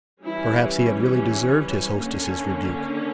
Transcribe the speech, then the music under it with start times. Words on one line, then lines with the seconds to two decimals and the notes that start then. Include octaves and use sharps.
Perhaps he had really deserved his hostess' rebuke.
0.23 E3 G3 C#4 E4
1.97 D3 A#3 C#4